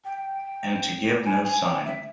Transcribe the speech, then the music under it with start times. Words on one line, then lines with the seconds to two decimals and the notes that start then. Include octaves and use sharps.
And to give no sign!
0.05 G5
1.25 G#5
1.45 G#5
1.66 G5
1.85 E5